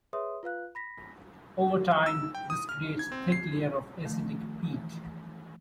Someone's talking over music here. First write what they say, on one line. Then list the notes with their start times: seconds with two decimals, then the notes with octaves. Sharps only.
Over time, this creates a thick layer of acidic peat.
0.13 G#4 B4 C#5 E5 C6 D#6
0.43 F4 B4 F5 F#6
0.75 B5 A#6 B6
2.06 E6
2.35 G5
2.50 D#6
2.69 F6
2.99 G#6
3.12 C4
3.32 C7
4.05 D#3 F3 A3
4.73 E3